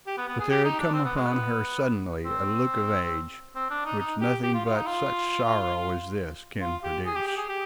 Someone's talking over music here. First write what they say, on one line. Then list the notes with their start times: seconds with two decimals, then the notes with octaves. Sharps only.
But there had come upon her suddenly a look of age, which nothing but such sorrow as this can produce.
0.07 G4
0.18 B3
0.28 B3
0.40 G#4
0.51 G4
0.65 D#4
0.80 D4
0.94 C4
1.05 B3
1.16 G#3
1.26 B3
2.25 C4
3.56 C4
3.70 D4
3.85 D#4
4.00 D#4
4.21 G4
4.43 G4
4.54 F4
4.66 F4
4.76 D#4
4.87 F4
6.62 F4
6.84 G4
7.06 G#4
7.16 G4
7.27 G4
7.38 G#4
7.49 G4